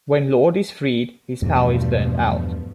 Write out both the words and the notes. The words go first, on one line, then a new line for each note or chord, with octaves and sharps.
When Lord is freed, his power is burnt out.
E2 G2 B2 F3 A3